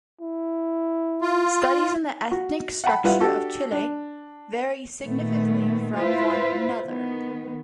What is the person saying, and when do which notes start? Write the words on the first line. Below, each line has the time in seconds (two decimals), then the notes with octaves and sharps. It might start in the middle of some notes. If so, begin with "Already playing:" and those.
Studies on the ethnic structure of Chile vary significantly from one another.
0.21 E4
1.22 F4
2.31 F#4
2.84 F#5 G5 A5 B5
3.04 G3 E4 F4 B4 F5 F#5
3.20 D4 F#4 G4 A4
3.72 D4
5.04 A#2 D#3 A3 B3
5.99 E4 F4 B4 C5
6.86 D#3 B3